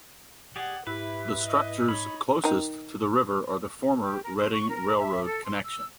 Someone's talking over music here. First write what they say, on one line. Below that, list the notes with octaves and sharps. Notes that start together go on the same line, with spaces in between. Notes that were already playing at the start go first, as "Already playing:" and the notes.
The structures closest to the river are the former Reading Railroad connection.
G4 G#4 D5 F#5
G#2 E4 G4 B4
D#5
D#4 C#5 B5
D#3 D#4
G4
A#4
C5
C#6
A#4
E5
A4
C6
E6